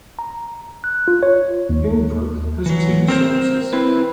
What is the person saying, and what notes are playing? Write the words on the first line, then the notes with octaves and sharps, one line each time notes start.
Pyl Brook has two sources.
A#5
F#6
F4
C#5
D#2
E3 F#3
C4 A#4 C5
C4 E4 B4